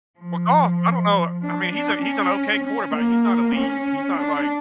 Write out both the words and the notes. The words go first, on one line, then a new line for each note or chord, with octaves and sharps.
Well, Goff I don't know. I mean, he's a he's an okay quarterback. He's not elite. He's not like,
F3
D4
D4
C#4
C#4
A#3
C#4
D4